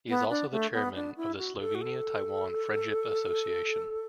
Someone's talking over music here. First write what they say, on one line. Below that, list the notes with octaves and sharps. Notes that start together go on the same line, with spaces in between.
He is also the chairman of the Slovenia-Taiwan Friendship Association.
B3
D4
A3
B3
D4
E4
F#4
A4
F#4
A4